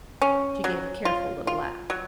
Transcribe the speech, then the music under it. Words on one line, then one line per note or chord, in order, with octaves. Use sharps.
She gave a careful little laugh.
C#4
F#3
F4
F4
F#3